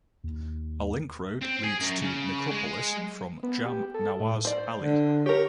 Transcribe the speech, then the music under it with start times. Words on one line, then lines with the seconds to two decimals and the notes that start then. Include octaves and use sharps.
A link road leads to necropolis from Jam Nawaz Ali.
0.24 D#2
1.42 C4
1.64 G#4
1.80 F#2
2.01 C#3
2.51 G#3
3.43 B3
3.65 G4
3.94 A4
4.20 A2
4.45 C5 D5
4.82 D3
5.26 G4 A#4 C#5